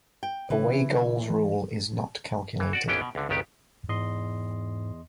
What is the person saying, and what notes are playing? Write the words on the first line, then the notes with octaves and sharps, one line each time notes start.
Away goals rule is not calculated.
G5
C#3 E3 C#4 D4 B4
E3
E3
F#4 D5 F#5
G#1 D#2 E3 B3 C#4 G5
B2
C#2 D3
G1 C#2 D#3 B3 G4
E2 G#2 D#5 C6